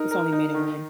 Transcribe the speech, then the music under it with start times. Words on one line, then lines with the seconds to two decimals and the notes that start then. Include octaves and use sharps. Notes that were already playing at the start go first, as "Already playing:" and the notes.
There's only men and women.
Already playing: D#4 A#4
0.11 A#4
0.32 D#4
0.54 D#3